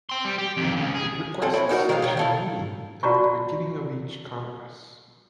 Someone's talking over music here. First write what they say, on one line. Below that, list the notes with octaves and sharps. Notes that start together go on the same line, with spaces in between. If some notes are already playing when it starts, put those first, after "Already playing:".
It requests such a meeting at the beginning of each Congress.
G5 C6
G3
G4
F2 D#3
C#2 C#3
G#4
C4 E4 A4 G#5
C4 E4 C#5
D4 D#4 F#4 A#4
D#3 G#3 A#3 F5
D#3 C#4
E4 A4 F5
F4 F#4 D5 A5 A#5 C#6